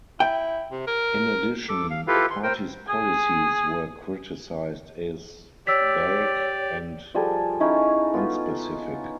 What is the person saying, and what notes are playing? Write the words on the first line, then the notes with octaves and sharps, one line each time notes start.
In addition, the party's policies were criticised as vague and unspecific.
E4 G5
C3
A#4
A4 D6
F5
E4 F4 G4 A4 B4 F5
C6
A#4 C5 G5
G#4
G4 C#5 D5 E6 B6
F3 G3 G#4 A4
C#4 D#4 E4
B3 F4